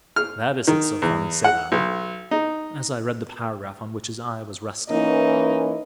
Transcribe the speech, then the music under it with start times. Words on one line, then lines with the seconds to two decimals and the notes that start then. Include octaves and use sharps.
'That isn't so funny,' said I, as I read the paragraph on which his eye was resting.
0.16 F6
0.67 D#3
1.02 E2
1.44 F#5
1.72 B1
2.31 D#4
4.90 E3 A#3 C#4 D#4